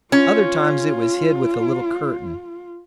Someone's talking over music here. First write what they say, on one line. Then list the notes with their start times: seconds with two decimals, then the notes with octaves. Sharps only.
Other times it was hid with a little curtain.
0.12 C#4 F4